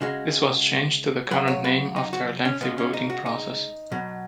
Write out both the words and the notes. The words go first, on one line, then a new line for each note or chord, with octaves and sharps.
This was changed to the current name after a lengthy voting process.
C#3 G#3 F#4
C#3 F#3 B4
C#5
B4
D#4
F#4
C#4
C#3 G#3 B3
C#4
D#4
F#4
D#4
B2 F#3